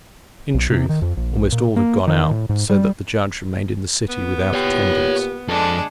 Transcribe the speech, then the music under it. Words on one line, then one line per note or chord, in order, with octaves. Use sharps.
In truth, almost all had gone out, so that the judge remained in the city without attendance.
B1
C3
D#3
F2
A#1
A#2
A#3
D#3
A2
G#2
G3
B3
A#2 G4 C#5 G5
F2 G#3 D4 A4